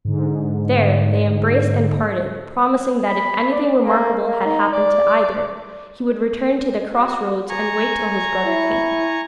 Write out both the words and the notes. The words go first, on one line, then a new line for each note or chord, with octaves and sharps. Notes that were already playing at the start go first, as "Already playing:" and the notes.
There they embraced and parted, promising that if anything remarkable had happened to either, he would return to the cross roads and wait till his brother came.
G#2 D3
B5
D5
A#3
A#3
D#4
D5
F#4
G#5 A#5 C#6
E4